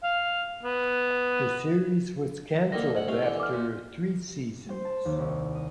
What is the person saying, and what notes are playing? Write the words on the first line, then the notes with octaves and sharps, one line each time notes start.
The series was canceled after three seasons.
F5
B3
D3 D#3 A#3 A#6
D2 C5 D#5 F#5
C2 A3 F5
D3 E3
D6 F6
A#2
C5
A5
D#2
C2
D#6